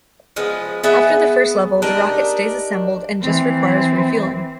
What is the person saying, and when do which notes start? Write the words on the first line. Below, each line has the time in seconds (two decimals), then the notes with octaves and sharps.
After the first level, the rocket stays assembled and just requires refuelling.
0.36 F3 G#3 B3
0.83 B3 G#4 E5 F#5
1.82 D4 D#4 G4 A#4
3.21 E3 C4